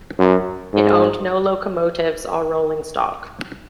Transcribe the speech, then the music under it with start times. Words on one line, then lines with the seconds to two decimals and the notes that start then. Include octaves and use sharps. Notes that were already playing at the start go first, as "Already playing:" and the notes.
It owned no locomotives or rolling stock.
0.19 F#2
0.74 G#2